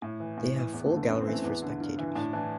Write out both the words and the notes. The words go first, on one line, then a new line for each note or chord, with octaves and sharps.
They have full galleries for spectators.
A2
E3
A2
E3
E2 B3
A3
D3
A3
F#2 B3
C4
E3
A3
E2 B3
D3
G2
E3
A2 D4
E3 D4